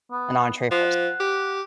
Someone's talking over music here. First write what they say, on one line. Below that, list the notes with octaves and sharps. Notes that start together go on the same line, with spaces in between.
an entrée first.
B3
F3 F#5
G4